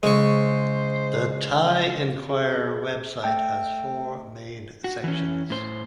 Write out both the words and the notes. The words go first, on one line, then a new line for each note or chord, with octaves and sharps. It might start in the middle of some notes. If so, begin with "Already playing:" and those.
The "Thai Enquirer" website has four main sections.
C#3 G#3 E4 C5 C#6
G#4
A3 E5 G5 A5 D7
F#4
E3 C#4
A2 C5